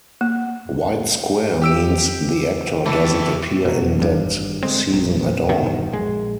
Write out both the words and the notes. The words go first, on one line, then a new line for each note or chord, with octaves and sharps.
White square means the actor doesn't appear in that season at all.
A#3
G4 E6 D7
D#2 E3 A3 G4 A5
B2 F#3
G#1 G2
D3 G#3 C4
A#1
E1 G2 B2 D#3
A#1 G#3